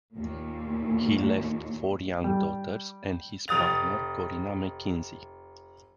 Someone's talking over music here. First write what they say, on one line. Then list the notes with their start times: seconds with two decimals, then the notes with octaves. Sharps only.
He left four young daughters and his partner Corina McKenzie.
0.16 D#2 A#2
2.24 G3
3.48 F1 D#6 A6 F7